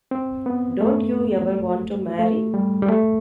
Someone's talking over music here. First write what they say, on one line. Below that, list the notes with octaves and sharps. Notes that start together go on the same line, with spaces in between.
Don't you ever want to marry?
C4
B3
A3
A3
G3
G3
A3